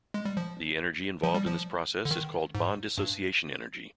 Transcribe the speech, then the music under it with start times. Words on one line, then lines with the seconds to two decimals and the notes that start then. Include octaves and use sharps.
The energy involved in this process is called bond dissociation energy.
0.14 G#3
0.25 G3
0.37 F3
1.23 F3
1.34 G3
1.46 F3
2.05 D3
2.11 D#3
2.55 G#2
2.98 G2